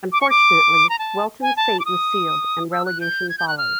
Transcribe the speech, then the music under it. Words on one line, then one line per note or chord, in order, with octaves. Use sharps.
Unfortunately Welton's fate was sealed and relegation followed.
D6
C#6
D6
A#5
A5
G#5
A5
D6
D#6
E6
F#6
G6
G#6
G6
F#6
F6